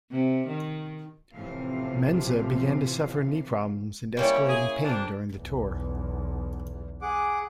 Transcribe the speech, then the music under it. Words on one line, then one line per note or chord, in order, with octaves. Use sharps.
Menza began to suffer knee problems and escalating pain during the tour.
C3
D#3
A1 A2 C3 E3 F3 F5
G3 A#3 C#4 E4
G#4
F2 A#3 D4
B1 E2
G#4 F#5 D6